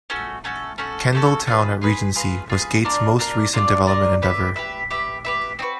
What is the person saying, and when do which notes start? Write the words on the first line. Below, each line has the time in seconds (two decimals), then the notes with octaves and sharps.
"Kendall Town at Regency" was Gate's most recent development endeavor.
0.10 A3 C#4 F#4 A4
0.44 A3 C#4 F#4 A4
0.78 A3 C#4 F#4 A4
1.13 A3 C#4 F#4 A4
1.47 F4 G#4 B4
1.82 F4 G#4 B4
2.16 F4 G#4 B4
2.50 F4 G#4 B4
2.84 D4 F4 A#4 D5
3.19 D4 F4 A#4 D5
3.53 D4 F4 A#4 D5
3.87 D4 F4 A#4 D5
4.22 G4 B4 E5
4.56 G4 B4 E5
4.91 G4 B4 E5
5.25 G4 B4 E5
5.59 C4 D#4 F#4 B4